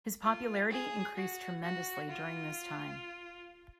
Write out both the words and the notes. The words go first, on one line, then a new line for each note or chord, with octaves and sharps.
His popularity increased tremendously during this time.
F4
G#4
F#4
F#4
F4